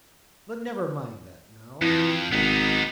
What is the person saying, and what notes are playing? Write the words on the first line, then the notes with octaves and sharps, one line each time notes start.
But never mind that now.
F2 E3
G#1 B3 D#4